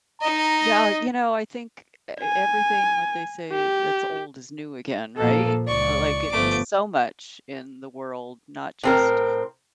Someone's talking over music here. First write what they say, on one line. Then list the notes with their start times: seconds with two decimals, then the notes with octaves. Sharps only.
Yeah, you know, I think e e everything what they say that's old is new again, right? Like, it was so much in the world, not just
0.22 D#4 D#5 A#5
2.21 G#5
3.52 G4
5.18 A#2 F3 A#3 A4
5.68 C#2 D5 C#6
6.31 G1 F3 A3 B3 D6
8.83 A2 C4 A#4